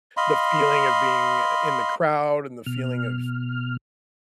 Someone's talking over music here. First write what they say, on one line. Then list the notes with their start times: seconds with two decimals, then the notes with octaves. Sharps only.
the feeling of being in the crowd and the feeling of
0.17 D#5 F5 B5 C6
2.66 B2 F6